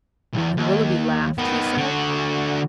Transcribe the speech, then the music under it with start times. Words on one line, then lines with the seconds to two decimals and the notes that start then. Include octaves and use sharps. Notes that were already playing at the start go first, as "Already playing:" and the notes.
"And Willoughby laughed?" he said.
0.34 B1 E2
0.58 D#2
1.38 D#3 B3
1.77 D3 F#4